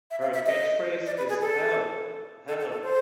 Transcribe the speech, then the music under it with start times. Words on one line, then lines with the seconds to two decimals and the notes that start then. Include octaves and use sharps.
Her catchphrase is Help, help!
0.11 E5
0.22 F5
0.34 E5
0.46 D#5
1.06 D5
1.17 B4
1.29 G#4
1.41 A4
2.48 A4
2.60 A4
2.72 A4
2.83 C5